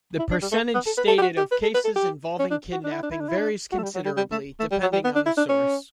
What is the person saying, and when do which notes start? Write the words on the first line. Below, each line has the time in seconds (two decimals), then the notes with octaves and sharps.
The percentage stated of cases involving kidnapping varies considerably, depending on the source.
0.19 E4
0.31 D4
0.42 G3
0.52 A3
0.74 B3
0.86 A4
0.97 B4
1.08 A4
1.18 G4
1.22 F#4
1.37 G4
1.52 B4
1.63 A4
1.74 B4
1.84 A4
1.96 G4
2.40 C#4
2.51 D4
2.72 F#4
2.84 D4
2.93 E4
3.03 D4
3.11 E4
3.21 D4
3.29 E4
3.38 D4
3.72 F#4
3.78 A3
3.83 G3
3.95 F#3
4.05 G3
4.17 G3
4.32 A3
4.60 A3
4.71 G3
4.83 F#3
4.93 G3
5.05 B3
5.15 D4
5.26 E4
5.37 D4
5.49 C#4